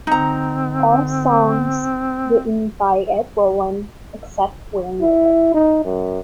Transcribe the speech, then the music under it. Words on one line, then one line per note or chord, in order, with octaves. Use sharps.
All songs written by Ed Roland, except where noted.
D3 C4 D#4 A#5
E4
D#4
F#2